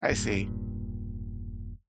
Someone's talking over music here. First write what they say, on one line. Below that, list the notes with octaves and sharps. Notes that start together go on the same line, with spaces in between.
I see.
E1 G2 A#2